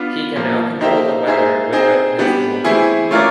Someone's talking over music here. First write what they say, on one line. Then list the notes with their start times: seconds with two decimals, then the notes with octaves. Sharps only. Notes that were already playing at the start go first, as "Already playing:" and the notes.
He can now control the weather without his wand.
Already playing: B3 D4 F4
0.36 A#2 F3 A#3
0.81 A#3 D#4 G4 C5 E5
1.27 A#3 D#4 G#4 C5 E5
1.73 C4 D#4 G#4 C5 D#5
2.19 G3 B3 D4 G4
2.64 E3 A3 C4 E4 G#4
3.11 A3 C#4 F4 A#4 D5